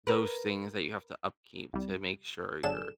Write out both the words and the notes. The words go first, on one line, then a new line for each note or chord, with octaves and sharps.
those things that you have to upkeep to make sure you're
A#4 B4
C2 G3
G1 F#3 D4 G#4 A4 E7